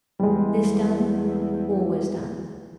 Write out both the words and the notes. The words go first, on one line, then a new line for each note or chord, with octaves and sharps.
This done, all was done.
E2 G3 G#3